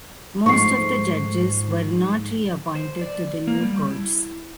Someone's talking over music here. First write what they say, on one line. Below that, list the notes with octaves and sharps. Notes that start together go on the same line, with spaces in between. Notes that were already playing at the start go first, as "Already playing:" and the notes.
Most of the judges were not reappointed to the new courts.
G#2 F3 A3 C#6 C7
C5
D5
A#3
G3
E4